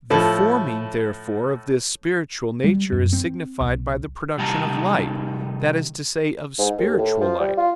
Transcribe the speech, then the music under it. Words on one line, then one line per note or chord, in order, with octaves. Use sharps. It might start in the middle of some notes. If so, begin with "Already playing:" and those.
The forming, therefore, of this spiritual nature is signified by the production of light, that is to say, of spiritual light.
A2 F3 E4 A4
G3
F#2
C4
B1
C3 D#3 G3 D#4 A5 A#5
G#2
D#2
A2
F3
G3
F4